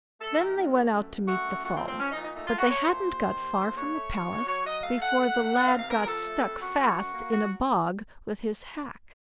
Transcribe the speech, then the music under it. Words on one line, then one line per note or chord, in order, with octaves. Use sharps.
Then they went out to meet the foe; but they hadn't got far from the palace before the lad got stuck fast in a bog with his hack.
A3 A4
D#3 A#4
D#2
A3
F#2
F#2
A3 F#4
F#2
A#2 F#4
C4
F3
C4
F3 C#4
D#4
A#2
D#4
A3 D#4
F4
A3
F#4
A3 C#5
A#2 C5
D#2
D#3
D#2
D#2
D#2 C#5
A3
D#2
D#2
F#3 C#5
F#3 D#5
A3 F5
A3 F#5
A3
D#3
D#3 F#5
F5
C3
F5
F2 A#4
A#4
F3 A4
A3
F2
F#2 F#4
F#2
F#2
A#3
F#3 F#4